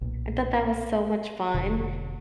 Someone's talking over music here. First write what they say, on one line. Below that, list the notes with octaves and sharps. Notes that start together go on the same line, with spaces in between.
I thought that was so much fun,
B1 A#2
F1 B2 D3